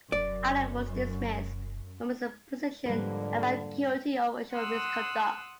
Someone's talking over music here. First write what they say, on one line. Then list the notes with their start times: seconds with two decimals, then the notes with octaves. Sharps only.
Allen was dismissed from his position and found guilty of official misconduct.
0.12 F1 F#2 D5
2.86 F2 G#2 D3 G3 A#3 B4
4.52 F#5 C6 D#6 E6 F#6